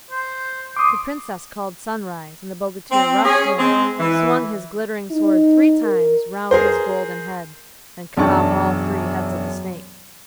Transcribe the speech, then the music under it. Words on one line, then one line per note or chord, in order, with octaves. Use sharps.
The Princess called Sunrise, and the bogatir rushed in, swung his glittering sword three times round his golden head, and cut off all three heads of the snake.
C5
C6 D6 D#6
C4
C#4 G#4
G#3 C4
E3
D#4
A#4
G#4 A#4 C5
E1 F#2 D4 A5 C#6